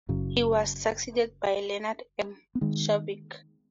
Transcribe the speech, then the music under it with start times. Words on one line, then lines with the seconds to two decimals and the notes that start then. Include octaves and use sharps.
He was succeeded by Lenard M. Shavick.
0.09 F#1 F#2 C#3 F#3
2.55 B3
2.61 D#3 G#3